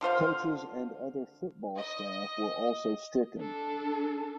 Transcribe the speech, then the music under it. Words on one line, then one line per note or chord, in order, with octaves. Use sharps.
Coaches and other football staff were also stricken.
D3 F4 C5 F5
D#5
D4 A4